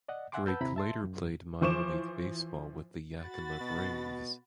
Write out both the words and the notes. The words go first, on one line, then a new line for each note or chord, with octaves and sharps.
Drake later played minor league baseball with the Yakima Braves.
D5 D#5 F#5
E5 F#5 G#5 C6 D6
B4 F#5 A5 B5 E6 G6
D#2 C3 C4 E4 A#5 B5
E5 A5 C6
F#2
E3 F3 C5 C#6 D6 E7
F#4 B5 A6
B2